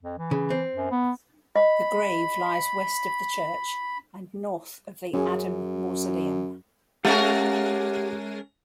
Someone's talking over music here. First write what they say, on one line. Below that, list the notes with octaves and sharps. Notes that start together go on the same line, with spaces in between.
The grave lies west of the church and north of the Adam mausoleum.
F2
E3
C#3
C4
F#2
B3
D#5 B5
F#2 C#4 G#4
G#3 C#4 G4 A#4 F5 F#5